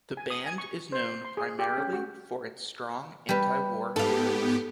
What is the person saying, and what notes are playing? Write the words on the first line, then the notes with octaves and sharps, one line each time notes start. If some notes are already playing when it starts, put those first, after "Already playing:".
The band is known primarily for its strong anti-war lyrics.
G#5
D#6
G#5
C#6
C5
C6
G#4
G4
C#4
F#4
G3 B4
G#2 B3 G4 A4 F5